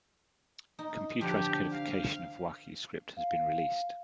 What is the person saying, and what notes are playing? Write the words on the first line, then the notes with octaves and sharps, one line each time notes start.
A computerized codification of Wakhi script has been released.
D#4
D3 F3 G4
F5
F5